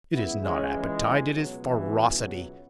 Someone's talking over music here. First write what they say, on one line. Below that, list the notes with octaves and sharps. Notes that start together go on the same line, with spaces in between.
It is not appetite, it is ferocity.
C#2 C#3 E3 B3 E4
G#3 C#4
E3 G#3
C#2 B2 F#3
E3
F#3